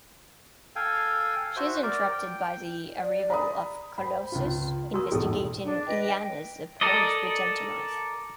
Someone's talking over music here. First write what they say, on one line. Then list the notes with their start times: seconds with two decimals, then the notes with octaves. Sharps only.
She is interrupted by the arrival of Colossus, investigating Illyana's apparent return to life.
0.76 A4 F5 G5 G#5
1.57 F#4 C5 E5
1.83 A#4 D5
2.12 G5
3.00 D5
3.30 A#5 B5 D#6
3.98 C5 G5 B5
4.32 C#2 F4
4.94 F#4 A#4 C#6 D#6 E6
5.12 B1 E2 A2 G#4 A4
5.63 D4
5.85 B4 D#5 G5
6.06 G5
6.81 A4 A#4 D5 D#5